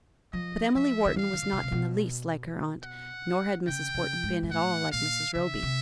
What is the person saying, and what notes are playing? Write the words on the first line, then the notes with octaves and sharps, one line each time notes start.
But Emily Wharton was not in the least like her aunt, nor had Mrs. Wharton been at all like Mrs. Roby.
F3 D#5
F3 E5
D#3
E3 F5
D#3
D3
C#3
C3
B2
F#5
C#3 G5
C#3
G#2
G#2
A2 F#5
A#2 F5
C#3 E5
C3